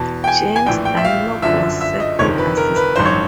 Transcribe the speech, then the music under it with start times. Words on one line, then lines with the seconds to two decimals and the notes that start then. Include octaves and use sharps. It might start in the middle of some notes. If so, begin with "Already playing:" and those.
James Dunlop was second assistant.
Already playing: E2 B2 A5
0.24 G5
0.28 G#5
0.56 G#5
0.66 A#1 A2 E3 G5
0.85 G5
0.97 E5
1.05 F5
1.42 G1 F#2 D3 F3 E5
1.81 E5
2.00 D#5
2.19 G1 F2 C3 D#3 C#5
2.38 B4
2.57 A#4
2.76 B4
2.95 A1 G2 D#3 C5
3.05 C#5